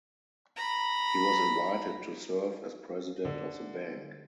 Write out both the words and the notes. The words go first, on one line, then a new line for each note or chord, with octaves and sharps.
He was invited to serve as president of the bank.
A#5 B5
D3